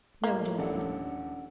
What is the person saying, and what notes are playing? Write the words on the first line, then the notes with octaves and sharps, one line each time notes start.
No gentleman!
A2 A#3
D#1 C#4 D4 A4 D5 F#5